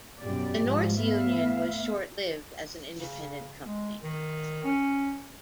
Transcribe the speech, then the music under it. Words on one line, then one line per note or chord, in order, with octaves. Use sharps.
The North Union was short-lived as an independent company.
F#2 B2 F#3 G4 D5
G#2 F3 G#3
A3 B3 E5 F5
C#3
G#3
D#3
C#4